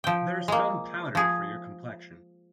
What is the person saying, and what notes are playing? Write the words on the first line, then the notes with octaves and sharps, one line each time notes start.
There's some powder for your complexion.
F3 G5
G#3 A#3
F3 G#4